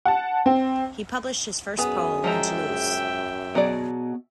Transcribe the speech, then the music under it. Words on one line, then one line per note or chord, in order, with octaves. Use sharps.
He published his first poem in Toulouse.
F#5 A5
C4
F#2 B3 G#4
F3 G#3 E5 G5 A#5
B2 F#3 G#4 D5